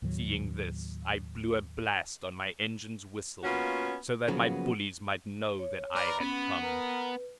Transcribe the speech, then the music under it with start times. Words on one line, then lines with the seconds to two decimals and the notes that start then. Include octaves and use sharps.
Seeing this, I blew a blast on my engine's whistle, so that my bullies might know that I had come.
0.02 D#2 A2 D#3 F#3
3.44 A#3 B3 C#4 F4 F#4
4.28 C#3 F3 F#3 A#3 B3
5.59 C#5
5.96 A#4 B4 D5 A#5
6.20 B3 C#4 B5
6.63 A#4 B4